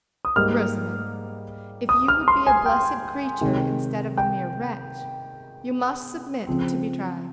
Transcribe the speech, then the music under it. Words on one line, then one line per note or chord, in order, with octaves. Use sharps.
"Rosamond, if you would be a blessed creature instead of a mere wretch, you must submit to be tried."
D#6
G#2 G3 A#3 D#4 F6
D#6
F6
C6
G#5
G5
C3 D#3 G#3
G5
C#3 F3 C4